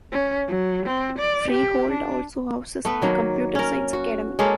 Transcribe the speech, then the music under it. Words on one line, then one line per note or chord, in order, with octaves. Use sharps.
Freehold also houses the Computer Science Academy.
C#4
F#3
C4
D5
G4
D4
A3 B3 B4
D#3 F#3 A#3
C#4 A#4
F#4
G#3 A#3 C#4 A4